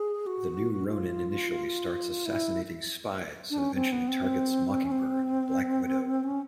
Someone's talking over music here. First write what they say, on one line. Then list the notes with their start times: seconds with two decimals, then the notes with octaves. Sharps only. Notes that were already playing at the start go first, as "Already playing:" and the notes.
The new Ronin initially starts assassinating spies and eventually targets Mockingbird and Black Widow.
Already playing: G#4
0.26 F#4
0.88 F#4
0.93 F4
2.26 E4
3.50 D4
3.58 C#4
3.74 C4
3.92 B3
4.08 C4
4.84 C#4
4.92 C4
6.24 C#4